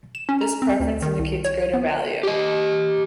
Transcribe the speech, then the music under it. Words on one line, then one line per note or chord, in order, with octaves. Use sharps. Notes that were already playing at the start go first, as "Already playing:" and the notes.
This preference indicates greater value.
E7
C#4
A#5
C4
D2
D#3
C2
C#5
B3
G4 D#5